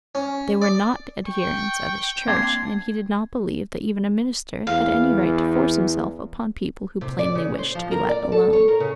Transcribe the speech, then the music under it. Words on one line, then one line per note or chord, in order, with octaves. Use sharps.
They were not adherents of his church and he did not believe that even a minister had any right to force himself upon people who plainly wished to be let alone.
C#4
D5
G5 C#6
A#3 C4 D4 C6 G#6
E2 F5
C3
D5
C#3
C5
F3
A#4
D5
A4
C#5
A#4
C#3